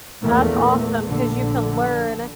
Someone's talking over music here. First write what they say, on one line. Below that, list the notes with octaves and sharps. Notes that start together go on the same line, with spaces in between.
That's awesome, 'cause you can learn
A#1 E2 A#2 A3 A#3
A#1 D3